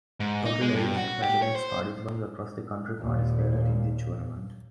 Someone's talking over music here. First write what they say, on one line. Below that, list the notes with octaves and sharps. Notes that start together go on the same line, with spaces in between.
Total eighth academics participants across the country participated in the tournament.
G#2
D#4
G#3
G2
F#4
G4
C#5
C5
D#2 A#2